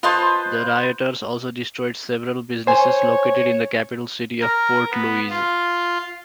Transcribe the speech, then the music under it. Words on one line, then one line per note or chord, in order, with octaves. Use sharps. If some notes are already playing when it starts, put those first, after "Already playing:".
The rioters also destroyed several businesses located in the capital city of Port Louis.
F4 B4 C5 D#5 A5
C5 C#5 G#5
A#4
B3
F4